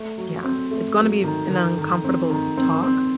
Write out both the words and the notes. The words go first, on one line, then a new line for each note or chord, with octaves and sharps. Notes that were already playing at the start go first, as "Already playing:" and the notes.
Yeah, it's gonna be an uncomfortable talk
Already playing: A3
F#3
C4
A3
F#3
D#3
D#3
D#3
C4
D#3
C4
C4